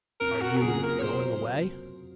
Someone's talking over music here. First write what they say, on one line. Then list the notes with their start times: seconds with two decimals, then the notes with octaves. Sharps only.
"Are you... going away?"
0.20 F2 A#4
0.41 F#4
0.57 A#4
0.62 C#3 F#3 A#3 F4 G#4
0.83 A#4
0.99 C#5
1.03 C5